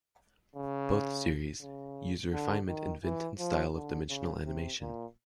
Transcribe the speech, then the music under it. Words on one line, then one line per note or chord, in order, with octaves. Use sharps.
Both series used a refinement in Vinton's style of dimensional animation.
C#3
C#3
D3
D#3
E3
F3
D3
C#3
C3
A#2